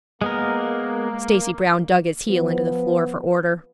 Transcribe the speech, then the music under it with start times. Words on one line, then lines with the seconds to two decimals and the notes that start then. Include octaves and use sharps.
Stacy Brown dug his heel into the floor for order.
0.21 G#3 A#3 B3 A#4
2.28 F3 B3